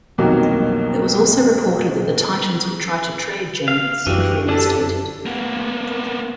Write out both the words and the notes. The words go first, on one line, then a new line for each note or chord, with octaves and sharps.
It was also reported that the Titans would try to trade Jones, if reinstated.
C2 F2 B2 D#3 F#3 A#3
F5
F#2 E3 D4 F#4 G4
D3 D4 E4 G4 A4
A#3 B3